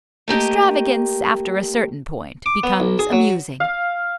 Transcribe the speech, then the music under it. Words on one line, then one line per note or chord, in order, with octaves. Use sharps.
Extravagance after a certain point becomes amusing.
A3 A#3 G4 D#5
D6
B3
B1
G#4
F#3
F5